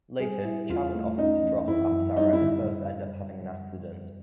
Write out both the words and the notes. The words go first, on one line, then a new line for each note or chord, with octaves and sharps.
Later Chaman offers to drop Apsara and both end up having an accident.
G3 G#4
E4
E2 F4
A3
C#4 D#4
E3
F#2 E4
F#2
G3 D#4
E4
D3